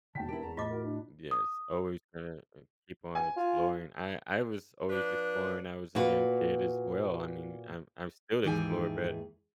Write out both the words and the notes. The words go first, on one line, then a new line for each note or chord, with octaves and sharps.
Yes. Always gonna uh, keep on exploring. I I was always exploring, I was a young kid as well, I mean, I'm I'm still explorer, but
E1 D3 G5 A5 B6
B3 D4 E4 G4 A#4
E2 A#5
A2 F4 D#5 D6
E4 F#4 A#4
D4
D#6
G#5
F4
F3 D4 B4
A#2 F#4 B4
D#2 G#2 E3 G#4 G5 G#5